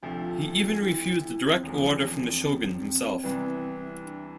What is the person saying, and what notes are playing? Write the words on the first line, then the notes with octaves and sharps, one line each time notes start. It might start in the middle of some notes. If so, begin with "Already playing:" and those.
He even refused a direct order from the Shogun himself.
D2 C3 F3 A3 D4
F4
F4
D4
E4
E4
E4
C4
E1 E2 D3 F3 B3
C4
C4
C2 C3 E3 B3
D4